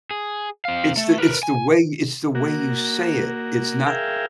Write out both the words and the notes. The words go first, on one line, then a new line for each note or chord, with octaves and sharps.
it's the it's the way it's the way you say it, it's not
G#4
C4 F5
A3
A#4 B4
G#5
A#3 F#4
G#4 A#4 E5 F5 G5